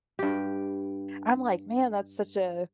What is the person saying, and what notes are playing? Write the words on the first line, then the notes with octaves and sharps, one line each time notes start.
I'm like, "Man, that's such a"
G2 G4